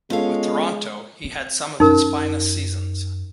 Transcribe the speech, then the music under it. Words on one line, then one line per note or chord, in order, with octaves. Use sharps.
With Toronto, he had some of his finest seasons.
G#3 B3 C#4 F4 A4 F5
C4
F#2 D#4 A#4